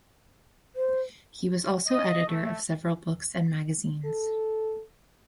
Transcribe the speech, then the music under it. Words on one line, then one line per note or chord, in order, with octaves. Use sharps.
He was also editor of several books and magazines.
C5
D#5
A3
A4